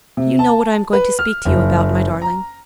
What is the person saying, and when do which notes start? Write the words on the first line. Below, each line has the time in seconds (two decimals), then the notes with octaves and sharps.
"Do you know what I am going to speak to you about, my darling?"
0.17 C3
0.39 A5
0.93 B4
1.19 F6
1.45 F#1
2.22 A#5